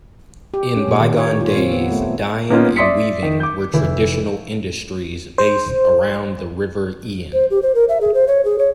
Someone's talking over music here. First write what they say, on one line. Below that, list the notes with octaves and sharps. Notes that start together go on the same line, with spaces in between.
In bygone days, dyeing and weaving were traditional industries based around the River Ehen.
G4
C#4
A#2
D#3
C#5
F4
C4
B3
A3
A#3 B3 C#4 D#4 F4
D5 E5 C6 D#6 B6 C#7
D#3
D6 G6
F1 E3 E4
C5
C5
G4
C5
A#4
E5
G#4
C5
C#5
G#4
C#5